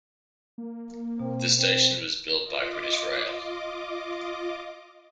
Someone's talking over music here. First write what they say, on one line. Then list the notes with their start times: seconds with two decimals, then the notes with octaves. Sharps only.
The station was built by British Rail.
0.58 A#3
1.20 B2 C4
1.57 C4
2.43 F4 D#5 D6